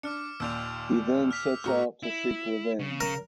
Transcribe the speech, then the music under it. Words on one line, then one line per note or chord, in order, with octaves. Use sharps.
He then sets out to seek revenge.
D4 D6 F6 C#7
D#2 A#2 E6 G6 F7
F6 B6 F7
A2 F#4 A#5 F6
E4
C#3
A#4